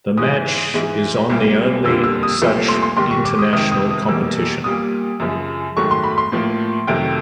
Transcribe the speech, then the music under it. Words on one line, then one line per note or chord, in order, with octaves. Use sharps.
The match is the only such international competition.
G#2 E3 G#3 D#6
G#2 E3 G#3
C2 A#2 G3 A#3
F2 D3 G3 A#3 E6
E6
D#6
C2 A#2 F3 A3
C6
C6
G#2 D#3 G3 C6
C#6
D6
D#6
F2 C3 D#3 D#6
D#6
D#6
E2 B2 G3 A#3 E6
A#2 G3 A#3 D#6
F#2 C#3 F3 G#3
G#2 D#3 F#3 A3 C#6
C6
B5
C6
A2 F3 A#3
F2 C3 D#3 F#3 A3 G5